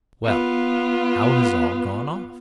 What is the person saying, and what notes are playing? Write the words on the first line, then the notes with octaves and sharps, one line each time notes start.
"Well, how has all gone off?"
B3 F4